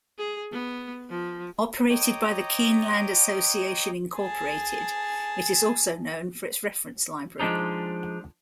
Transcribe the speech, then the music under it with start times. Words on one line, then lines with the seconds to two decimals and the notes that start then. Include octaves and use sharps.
Operated by the Keeneland Association, Incorporated it is also known for its reference library.
0.18 G#4
0.52 B3
1.10 F3
1.90 C#5 D#5 G5 A#5 D6 D#6
4.18 G#4 A5
7.40 F3 G#3 D4 D#4